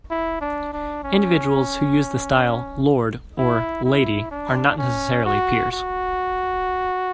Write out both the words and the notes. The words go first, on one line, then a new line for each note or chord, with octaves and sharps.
Individuals who use the style "Lord" or "Lady" are not necessarily peers.
E4
D4
D4
C#4
E4
E4
D4
C#4
F#4
F#4